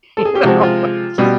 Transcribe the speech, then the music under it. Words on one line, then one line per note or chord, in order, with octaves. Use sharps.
You know? It's just
A4
G#4
G4
C3 F3 G#3 F#4
F4
B2 G3